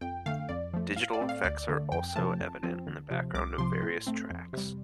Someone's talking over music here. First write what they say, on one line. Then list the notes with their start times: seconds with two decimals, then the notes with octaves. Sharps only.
Digital effects are also evident in the background of various tracks.
0.01 F2 G5
0.26 D3 A3 F5
0.49 F2 D5
0.73 F3 A3
0.96 A2 F5
1.13 D5
1.21 A3 C4
1.29 F5
1.44 D2 D5
1.69 D3 A3
1.92 F2 G5
2.16 C3 F3 A3 A5
2.40 F2
2.63 F3 C4
2.87 D2
3.11 C3 F3
3.34 C2 D6
3.58 C3 F3 C6
3.82 A2
4.07 A3 C4
4.30 F2
4.53 C3 G3